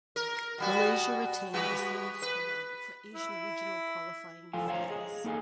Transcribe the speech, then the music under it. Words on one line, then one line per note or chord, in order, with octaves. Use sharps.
Malaysia retained the same squad for Asian Regional Qualifying Finals.
A#4
B2 G3 F#4
G3 F#4 B4
B4
E4
F3 F4 A4 F5 G#5
C5 C#5 F5 F#5 A#5
G#4 D#5
A#3 D#4 A4 F5 G#5